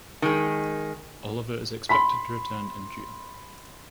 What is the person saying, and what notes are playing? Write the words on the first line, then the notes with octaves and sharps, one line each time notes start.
Olivier is expected to return in June.
D#3 G#3
B5 C6 B6